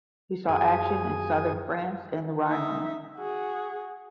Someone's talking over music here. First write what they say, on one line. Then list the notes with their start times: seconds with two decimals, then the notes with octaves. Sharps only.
He saw action in southern France and the Rhineland.
0.49 F#2 G#4 G#5 D#6
2.45 D#4 E5
3.17 F#4 G#4